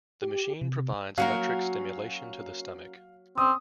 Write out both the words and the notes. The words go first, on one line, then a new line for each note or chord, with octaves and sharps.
The machine provides electric stimulation to the stomach.
G4
C3
F#3 A#3 C#4 F#4 A#4 F5
C4 D#6